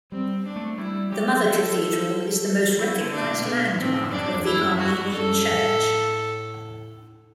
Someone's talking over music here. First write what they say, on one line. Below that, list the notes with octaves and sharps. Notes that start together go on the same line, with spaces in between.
The Mother Cathedral is the most recognised landmark of the Armenian Church.
G3 C4
D4
A3
G3 E4
F#3 G4
F#3 A4
F#3 E4
D3
D4
B2
B2 B3
A2 C4
F#2
G2 D4
E2
E4
F#2
G2 F#4
F#2 A4
A2